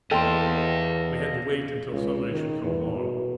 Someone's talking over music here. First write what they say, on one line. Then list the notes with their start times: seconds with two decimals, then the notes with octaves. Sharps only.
We had to wait until somebody should come along.
0.11 E2 A4 D#5 F5 G5 C6
1.92 C#2
2.30 D#3
2.63 E2
2.96 B2